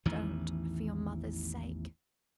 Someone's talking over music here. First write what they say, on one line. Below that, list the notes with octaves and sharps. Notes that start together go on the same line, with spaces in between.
Don't, for your mother's sake.'
A1 E2 D#3 E3